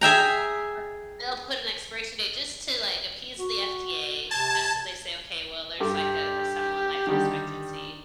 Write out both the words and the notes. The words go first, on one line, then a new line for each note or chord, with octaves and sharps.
but they'll put an expiration date just to, like, appease the FDA just so they say, "Okay, well, there's, like a, somewhat life expectancy."
G#4 E5 G5 A#5
F#4
C3 A5 G#6
G2 G4 A4 D6
D3 D#3 G3